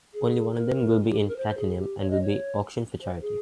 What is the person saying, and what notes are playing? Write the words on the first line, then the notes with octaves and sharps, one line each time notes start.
Only one of them will be in platinum and will be auctioned for charity.
G#4
A#4
F4
G4
G#4
A#4
C5
G#4
G4
C#5
D#5
C#5
C5
G#4